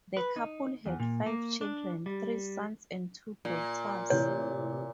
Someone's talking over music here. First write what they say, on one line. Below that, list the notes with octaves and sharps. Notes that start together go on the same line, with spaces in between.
The couple had five children, three sons and two daughters.
B4
D#4
E2
A#2
A#3
D4
G3
A#2
A2 C3 E3 C#5